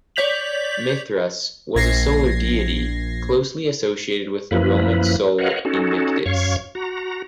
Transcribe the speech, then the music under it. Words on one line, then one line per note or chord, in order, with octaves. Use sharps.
Mithras was a solar deity, closely associated with the Roman Sol Invictus.
C#5 D5 G6 B6 F7 F#7
A#1 G#6 A#6 C7
F#2 F3 A#3 E4 B4
A#4 B4 C#5 D#5 F5 F#5
C#4 D#4 F#4 A4
F#2 C#5 F5 C#6
F#4 A#5